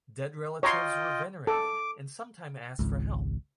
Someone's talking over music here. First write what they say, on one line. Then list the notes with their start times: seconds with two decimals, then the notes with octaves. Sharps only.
Dead relatives were venerated and sometimes asked for help.
0.63 F4 C#5 D#5 G5 A#5 C6
1.47 A4 D6
2.79 G#1 C#2